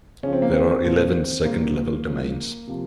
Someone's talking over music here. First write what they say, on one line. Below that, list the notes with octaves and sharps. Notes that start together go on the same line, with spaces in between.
There are eleven second-level domains.
C#3 F3 C#4
C4
A#3
C4
A#2 F3
A#2 G3 A#3
C#3 F3
C3 F3